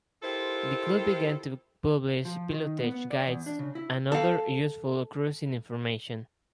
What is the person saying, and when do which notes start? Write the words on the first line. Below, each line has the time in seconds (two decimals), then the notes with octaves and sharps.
The club began to publish pilotage guides and other useful cruising information.
0.22 E4 F4 G4 A4 A#4 C5
2.25 F3
2.51 D#3
2.79 B3
2.92 B3
3.10 D5
3.27 E2
3.46 D4
3.59 C#3
3.75 E4
4.12 A4 F5